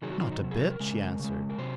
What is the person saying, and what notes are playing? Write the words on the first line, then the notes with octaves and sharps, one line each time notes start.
"Not a bit," she answered.
C3 D#3 F#3 G#4
F#4
F4
D#4
C3 F#3
G#4
F#4
A#4
C#3 G#3
C#3 G#3
A#4
C3 F#3 C5